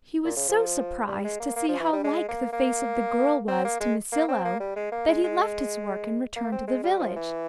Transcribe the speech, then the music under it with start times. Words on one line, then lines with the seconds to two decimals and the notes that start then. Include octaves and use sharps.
He was so surprised to see how like the face of the girl was to Masilo, that he left his work and returned to the village.
0.25 A#2
0.36 C#3
0.48 F3
1.08 G3
1.24 G#3
1.40 A#3
1.56 A#3
1.68 F3
1.80 E3
1.92 G3
2.04 G#3
2.28 A#3
2.52 A#3
3.48 C4
3.65 A#3
3.80 G#3
4.12 A#3
4.28 C4
4.45 A#3
4.60 G3
4.76 G#3
4.92 A#3
5.08 G#3
5.24 G#3
6.36 A#3
6.52 C4
6.67 G#3
6.84 G3
6.99 F3
7.16 E3